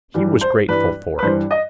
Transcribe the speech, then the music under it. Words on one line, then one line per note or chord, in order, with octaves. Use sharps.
He was grateful for it.
G2 E3 G3
C5
G2 E3 G3 B4
B4
G2 E3 G3 C5
D#5